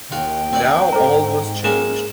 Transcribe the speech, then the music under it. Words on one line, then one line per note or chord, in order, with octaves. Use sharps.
Now all was changed.
D#2 F4 F#4 G5
C4 F#4 D5
G#2 A4 C5 A#5
G#3 A#3 C#4 E7